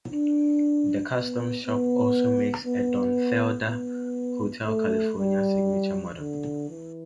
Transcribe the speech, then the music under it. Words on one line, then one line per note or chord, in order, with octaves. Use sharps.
The Custom Shop also makes a Don Felder "Hotel California" signature model.
D4
B3
B3
B3
B3
A3
G3
D3
E3